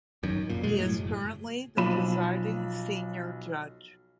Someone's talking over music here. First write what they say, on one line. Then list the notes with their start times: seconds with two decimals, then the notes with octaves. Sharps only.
He is currently the presiding senior judge.
0.23 D1 G1 F#2 D#3
0.50 F1 A#2
0.63 B2 G3 G#3
0.78 F#2 A2 F#3
0.95 F#1
1.77 B1 F3 B5 E7